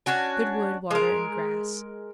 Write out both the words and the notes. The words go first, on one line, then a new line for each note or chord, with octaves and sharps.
Good wood, water, and grass.
C#4 D4 F#4 G#5
G#3 A#4